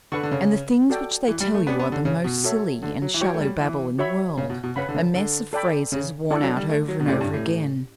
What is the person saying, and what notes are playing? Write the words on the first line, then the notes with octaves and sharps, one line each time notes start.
And the things which they tell you are the most silly and shallow babble in the world; a mess of phrases worn out over and over again.
D3 B4 F#5 C#6
D3
C#3
F#4 A4 D5 G5
E3
G3
A3
B3 C#4 G4 D5 F#5 B5
B3
D3
C#3
B2
F#4 A4 C#5 E5
D3
F#3
E3
F#3 F#4 C#5 G5 C#6
A3
G3
E3
F#4 C#5 E5 B5
C#3
B2
B2
C#3 B4 F#5 B5
D3
C#3
D3
A4 D5 G5 B5
C#3
E3 D4 A4 D5 F#5
F#3
G3
A3
F#3
B2
A2 C#4 E4 G4 D5
G2
A2